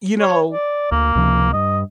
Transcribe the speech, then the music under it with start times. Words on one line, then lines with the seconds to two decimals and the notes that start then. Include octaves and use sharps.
you know,
0.20 C#5
0.52 D5
0.92 D2 A#3
1.15 C#2 C3 F3
1.53 G2 D#5